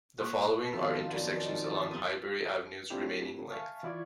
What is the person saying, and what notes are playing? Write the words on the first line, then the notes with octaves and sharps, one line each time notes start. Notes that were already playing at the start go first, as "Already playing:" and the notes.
The following are intersections along Highbury Avenue's remaining length.
A#2 C5 F#5 C#6
F2 B2 D#3 E5 F5 A5
F#2 A#3 B3 D5
D#4
D#1 E2 D#6
A3 C4 D4 E4 F4 G4
E5 F5 G#5 A5 C#6 F6
E3 E4 F4 D5 C#6 G#6